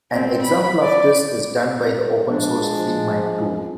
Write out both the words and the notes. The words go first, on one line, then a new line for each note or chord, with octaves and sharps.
An example of this is done by the Open Source FreeMind tool.
C4
B5
D5
F3 G#3 D4